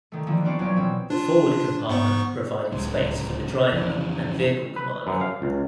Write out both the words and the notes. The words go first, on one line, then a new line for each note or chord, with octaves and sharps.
The forward compartment provided space for the driver and vehicle commander.
D3 D#3 A3
E3 F3 A#3 D4
B3 C4 D4 F#4 D5 F5
B1 F#3 C#4 C5 D7
B2 C4
D4 F4
G#2 B3 C#6
D1 C#2 G#3
F2 C#3 E3
B4
F#2
F5
C#2